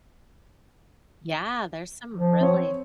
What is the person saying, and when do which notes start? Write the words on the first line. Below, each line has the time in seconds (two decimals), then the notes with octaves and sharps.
Yeah, there's some really
2.13 F3
2.40 C4 C#5